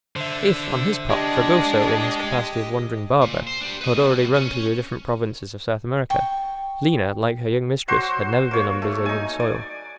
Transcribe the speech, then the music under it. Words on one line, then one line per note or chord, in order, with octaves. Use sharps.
If, on his part, Fragoso, in his capacity of wandering barber, had already run through the different provinces of South America, Lina, like her young mistress, had never been on Brazilian soil.
D3 C5 E5
G#3 D4 G4 D#5
A#2
C5
D4 G4
B4 D#5
B2 G3
C#4 C#5
G5 C#6
F#3 F#4 C5 C6
A#3 C#5
A3
D#4 G#5
D5